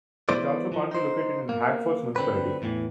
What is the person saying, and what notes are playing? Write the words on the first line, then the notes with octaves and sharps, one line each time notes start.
It is also partly located in Hagfors Municipality.
E3 G#3 B3 E4 C5 D5
E3 F3
D#4 C5
A#3
D3 C4 B4
E2 A2 D#3 E3